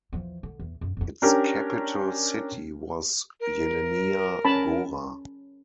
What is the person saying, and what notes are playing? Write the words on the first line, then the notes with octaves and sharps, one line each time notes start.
Its capital city was Jelenia Gora.
E2 F3
D3
E2
F#2
F2 E4
C#4 D4 G4 A#4
A#4
C#4 A5 B5